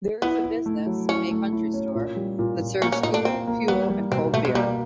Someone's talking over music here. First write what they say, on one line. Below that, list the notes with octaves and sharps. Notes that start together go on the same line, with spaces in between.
There is a business May Country Store that serves food fuel and cold beer.
B3 E4
E4
A3
F#3
C#4 E4
A3
E4
C#4
A#2
G3
A#2
A#2
A#3 C#4
C#4
A#2 D#4
D4
A#3 C4
A#3
G3 B3
G3
B2 C4
B2 A3
G#3
G3 A#3